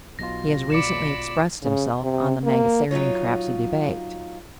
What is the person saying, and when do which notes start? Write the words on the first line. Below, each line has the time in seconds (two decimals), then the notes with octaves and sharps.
He has recently expressed himself on the Mangasarian-Crapsey Debate.
0.19 B1 B2 F4 A#6
0.70 D5 B5 D6 C#7 E7
1.63 C#3
2.02 C3
2.43 A#3
2.91 F#3 D#4 F4 C#5